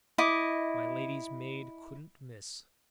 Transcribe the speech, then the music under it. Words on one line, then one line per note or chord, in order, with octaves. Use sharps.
My lady's maid couldn't miss.
E4 D#5 D6